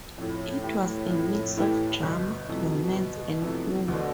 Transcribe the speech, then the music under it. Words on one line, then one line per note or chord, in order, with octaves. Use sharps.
It was a mix of drama, romance and humor.
F2 A2
E3 A3 E4 G4
F2
E3 A3 E4 G4
G1 B2
F2 C3 E3 A3
G1
F2 C3 E3 A3
D2 B2 D3